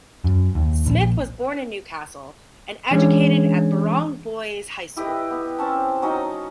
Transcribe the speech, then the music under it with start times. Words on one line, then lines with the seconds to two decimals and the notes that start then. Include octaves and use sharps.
Smith was born in Newcastle and educated at Birrong Boys High School.
0.24 F#2
0.55 D#2
0.87 A#1
2.91 E3 G#3 C#4 D4 G#4 C#5
4.96 E4 G4 B4 D#5
5.31 B3
5.58 C4 C#4 A5
6.02 F#3 C#4 D#4 D#5